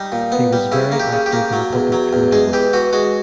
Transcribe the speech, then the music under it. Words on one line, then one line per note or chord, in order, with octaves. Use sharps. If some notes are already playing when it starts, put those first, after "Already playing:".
He was very active in public committee work.
Already playing: G3 D#4
A#2
B3
G3
C#3 E4
A#3
G4
C#3
G4
A#3
F#3
E2
F#3
E2
G#3 G#4
E3 G4
E3 F#4
G#3 F#4